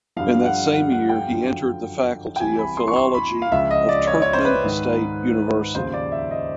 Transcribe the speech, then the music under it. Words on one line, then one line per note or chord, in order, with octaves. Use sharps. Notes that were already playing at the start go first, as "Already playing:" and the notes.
In that same year he entered the Faculty of Philology of Turkmen State University.
G2 D3 F3 F5
F#5
F#5
F#5
G5
F#2 D3 F3
G5
C2 C3 E3 G#5
B5
C6
C#6
C6
B5
F5
C#2 C#3 F3 E5
D#5
D5
C#5
C#5
C5
B4
G#2 D#3
D#2 C#3 F3 C5
D5
E5
D#5